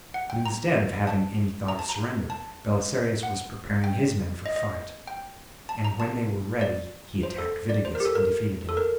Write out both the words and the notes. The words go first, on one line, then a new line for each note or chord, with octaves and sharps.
But instead of having any thought of surrender, Belisarius was preparing his men for fight, and when they were ready he attacked Vitiges and defeated him.
F#5
G5
A#5
A5
A#5
A5
A#5
A5
F#5
G5
D#5
D#5
G5
A5
A#5
A5
D5
C5
A4
D5
C5
A#4
G4
A4
A#4
A4
A#4